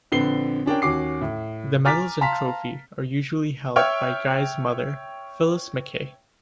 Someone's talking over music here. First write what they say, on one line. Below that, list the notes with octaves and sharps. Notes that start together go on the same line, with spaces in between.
The medals and trophy are usually held by Guy's mother Phyllis Mackay.
A#1 D3 C4 B4 C7 G7
C#4 D4 A#4 G5
D#2 C#4 F#4 D6 C7
A2
G#5 A#5 D6 F6 A6 B6
F5 A5 A#5 C6 B6
C#5 E5 G5 F6